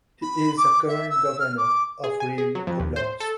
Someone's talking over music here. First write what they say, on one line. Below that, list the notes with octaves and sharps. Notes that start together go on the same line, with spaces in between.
He is the current Governor of Rivne Oblast.
B5
D6
E5
E6
F6
D6
G#4
G#5
G#4
F#3
F2
D#2
C5
A4